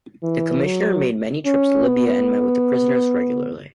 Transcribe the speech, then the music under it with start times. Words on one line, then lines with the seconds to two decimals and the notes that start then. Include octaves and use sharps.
The commissioner made many trips to Libya and met with the prisoners regularly.
0.23 E3
0.64 F#3
1.46 C#4
1.87 B3